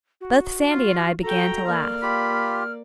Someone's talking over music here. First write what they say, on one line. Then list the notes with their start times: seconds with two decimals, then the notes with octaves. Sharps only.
Both Sandy and I began to laugh.
0.21 F#4
0.71 F4
1.23 F#4 A4 G5 A#5
1.66 A#3 D5 F6
2.03 F4 G4 B5